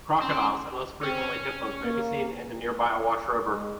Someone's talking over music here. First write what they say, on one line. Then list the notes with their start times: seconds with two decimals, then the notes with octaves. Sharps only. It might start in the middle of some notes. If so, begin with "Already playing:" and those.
Crocodiles and, less frequently, hippos may be seen in the nearby Awash River.
0.21 C4 C#4
1.03 C4 C#4
1.84 A#3
3.46 G#3